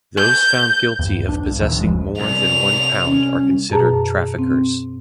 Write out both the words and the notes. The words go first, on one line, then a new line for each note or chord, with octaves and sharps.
Those found guilty of possessing more than one pound are considered traffickers.
G6
E2 G2
B1 D4
B1 G2
D#2 A#2 E3
D1 A1 F2 G#3
C2 F7
C#4
F#2 B2 G#4 B4 A5 A#5
C4